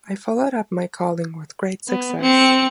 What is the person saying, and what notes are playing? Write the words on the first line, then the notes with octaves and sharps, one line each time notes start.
I followed up my calling with great success.
B3
C4 C#7